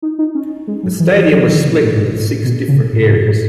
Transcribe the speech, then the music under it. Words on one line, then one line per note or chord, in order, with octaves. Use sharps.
The stadium was split with six different areas.
D#4
D#4
C#4
G#3
F#3
E3
E3
F#3
D#3
C#3
B2
A2
G#2
A2
B2
C#3
A2
G#2
A2